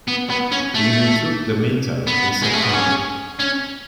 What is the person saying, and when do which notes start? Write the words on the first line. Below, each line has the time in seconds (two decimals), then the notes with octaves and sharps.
He retook Damietta in September.
0.08 B3
0.30 B3
0.52 C#4
0.75 A3
2.07 B3
2.43 G#3
2.53 A3
2.63 B3
2.73 C#4
3.39 C#4